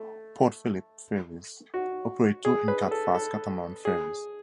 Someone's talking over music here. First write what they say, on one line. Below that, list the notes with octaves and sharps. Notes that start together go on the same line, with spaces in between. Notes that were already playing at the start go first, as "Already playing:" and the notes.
Port Phillip Ferries operate two Incat fast catamaran ferries.
Already playing: A3
F#4
G#4
B4
A4
A4
G#4